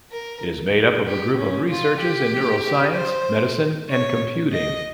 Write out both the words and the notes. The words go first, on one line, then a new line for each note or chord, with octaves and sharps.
It is made up of a group of researchers in neuroscience, medicine, and computing.
A#4
G4
C#4
F4
G4
C5
C#5
D#5